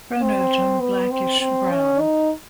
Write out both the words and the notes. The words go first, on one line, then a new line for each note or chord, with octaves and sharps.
Pronotum blackish brown.
C4
B3
C4
C4
C#4
D#4